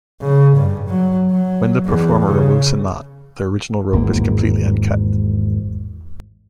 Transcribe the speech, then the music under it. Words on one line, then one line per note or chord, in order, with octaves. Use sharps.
When the performer removes the knot, the original rope is completely uncut.
C#3
G2
F#3
F#3
E2
C#3
G#1 E2 G#2 A#3